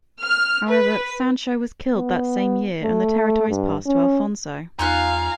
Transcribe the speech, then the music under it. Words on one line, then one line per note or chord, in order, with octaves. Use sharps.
However, Sancho was killed that same year and the territories passed to Alfonso.
F6
B4
B3
A3
G2
C#4
E2 D#4 F4 F5 G#5 A#5 F#6